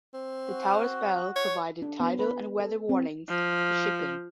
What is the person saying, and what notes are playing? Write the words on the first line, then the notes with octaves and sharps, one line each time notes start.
The tower's bell provided tidal and weather warnings to shipping.
C4
F#4
C#5
D4
B3
B4
A4
C4
F3